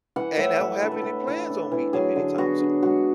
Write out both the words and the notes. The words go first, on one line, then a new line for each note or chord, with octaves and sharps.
and I don't have any plans on meeting ‘em anytime soon.
E3 F#5
A2 E5
A3 B4
D4 A4
B4
A3 A4
E3
D4
E3
F#3 G#4
D3
B3 F#4
D4
G#3 F#4